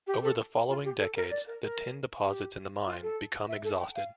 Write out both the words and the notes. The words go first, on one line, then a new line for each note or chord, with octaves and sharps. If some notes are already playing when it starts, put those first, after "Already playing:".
Over the following decades, the tin deposits in the mine become exhausted.
G4
A4
F4
G4
A4
A#4
D5
A#4
A#4
G4
F4
A4
E5
A4
A5
G5
F5